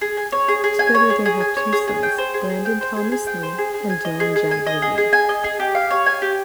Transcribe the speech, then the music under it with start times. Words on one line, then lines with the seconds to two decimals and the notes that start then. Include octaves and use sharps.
Together they have two sons, Brandon Thomas Lee and Dylan Jagger Lee.
0.01 G#4
0.17 G#5
0.32 C#5
0.48 G#4
0.64 G#4
0.79 G#5
0.95 C#5
1.10 G#4
1.26 G#4
1.41 G#5
1.57 C#5
1.72 G#4
1.87 G#4
2.03 G5
2.18 C5
2.34 G#4
2.50 G#4
2.65 G5
2.81 C5
2.96 G#4
3.12 G#4
3.27 G5
3.43 C5
3.58 G#4
3.74 G#4
3.90 G#5
4.05 D#5
4.20 G#4
4.36 G#4
4.51 G#5
4.67 D#5
4.82 G#4
4.98 G#4
5.13 G#5
5.29 D#5
5.44 G#4
5.60 G4
5.75 F5
5.91 C#5
6.06 G#5
6.22 G4